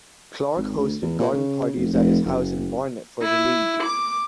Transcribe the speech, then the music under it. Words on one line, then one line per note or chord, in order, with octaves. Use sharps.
Clarke hosted garden parties at his house in Barnet for the League.
G#1
D2
E2
A#2
C#3
F1
F1
F#1
E4
D6